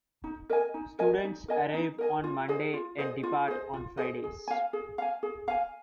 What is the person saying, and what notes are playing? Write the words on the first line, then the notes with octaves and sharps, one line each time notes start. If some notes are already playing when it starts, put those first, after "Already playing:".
Students arrive on Monday and depart on Fridays.
D#4
A#4 D#5 G#5
D#4
A#4 D#5 G#5
D#4
A#4 D#5 G#5
D#4
A#4 D#5 G#5
F4
G#4 C5 D#5
F4
G#4 C5 D#5
F4
G#4 C5 D#5
F4
G#4 C5 D#5
G#4
F5 G#5
G#4
F5 G#5
G#4
F5 G#5